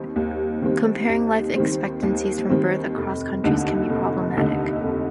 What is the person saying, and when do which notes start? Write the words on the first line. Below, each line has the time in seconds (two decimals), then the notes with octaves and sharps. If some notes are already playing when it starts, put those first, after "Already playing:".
Comparing life expectancies from birth across countries can be problematic.
Already playing: D#2 D#3 G3 C4
0.16 D#2
0.62 D#3 G3 C4
1.09 D#2
1.56 D#3 G3 C4
2.03 D#2
2.50 D#3 G3 C4
2.97 F1
3.44 D#2 D3 A3 D#4
3.90 F1
4.37 D#2 D3 A3 D#4
4.83 F1